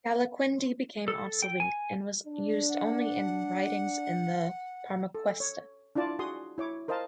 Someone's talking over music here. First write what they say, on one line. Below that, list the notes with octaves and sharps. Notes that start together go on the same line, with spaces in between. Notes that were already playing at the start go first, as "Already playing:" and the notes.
"Calaquendi" became obsolete, and was used only in writings in the Parmaquesta.
A4
G5
G#5
D4
F#5
A4
C#5
D4 E4 F4 D5 A5
F#4 G#4 C6 D#6
E4 C#5 D6
A#4 C5 D#5 F5 A5